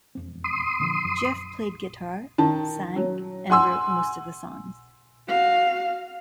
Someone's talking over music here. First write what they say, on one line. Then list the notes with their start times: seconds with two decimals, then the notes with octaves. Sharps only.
Geoff played guitar, sang, and wrote most of the songs.
0.15 E1 F2 C4
0.44 C6 D#6
0.80 A#2 D3 F3
1.05 F#2
2.38 D#3 A5
2.96 F#3
3.50 F#5 G#5 C6 E6
5.28 F#4 F5